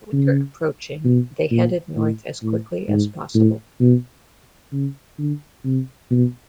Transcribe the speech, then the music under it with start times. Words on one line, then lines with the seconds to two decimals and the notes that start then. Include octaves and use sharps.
With winter approaching, they headed north as quickly as possible.
0.13 C#3
1.05 B2
1.51 A#2
1.97 A2
2.43 A2
2.89 G#2
3.35 A2
3.80 B2
4.73 C#3
5.19 D3
5.65 C3
6.11 B2